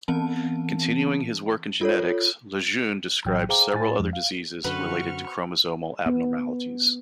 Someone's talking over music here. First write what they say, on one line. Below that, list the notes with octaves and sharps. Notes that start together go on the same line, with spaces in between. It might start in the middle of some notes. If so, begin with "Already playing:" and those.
Continuing his work in genetics, Lejeune described several other diseases related to chromosomal abnormalities.
E3 B3 C4 A5
F4 A4 C#5
A#1 A2 E3 F#3 G5 G6
G#4 C5 F5 G5 A#5 D6
A2 E4 C5 G#5 A6
F2 F3 G#3
F5
F#2 D3 C4 F#4 B4 C#6 F6
B3